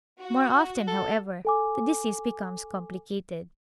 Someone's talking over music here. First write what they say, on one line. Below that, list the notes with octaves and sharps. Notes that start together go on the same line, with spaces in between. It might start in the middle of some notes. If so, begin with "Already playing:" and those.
More often, however, the disease becomes complicated.
F#4
A4
A4 G#5 D6